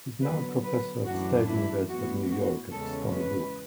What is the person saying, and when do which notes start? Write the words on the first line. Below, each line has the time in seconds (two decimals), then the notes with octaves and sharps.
He is now a professor at State University of New York at Stony Brook.
0.22 D3 F#3 B3 B4
0.64 B4
1.05 F#2 E3 A3 D4 F#4
1.47 E4
1.89 A2 E3 B3 F#4
2.30 F#4
2.72 E2 C#3 G#3 C#4 A4
3.14 B4